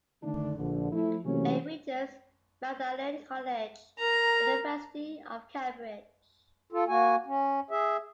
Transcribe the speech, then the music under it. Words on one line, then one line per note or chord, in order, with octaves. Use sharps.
A. Richards, Magdalene College, University of Cambridge.
D3 D#3 A3 D4
A#1 D3
F3 A3 E4
C3 E3 F#3 A3 A#3 C#4
A#4 A#5
F4 A4
A#3 F#4 G#5
C#4
G#4 E5